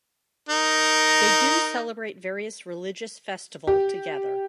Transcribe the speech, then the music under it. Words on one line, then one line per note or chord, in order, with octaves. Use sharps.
They do celebrate various religious festival together.
D#4 A#4
G4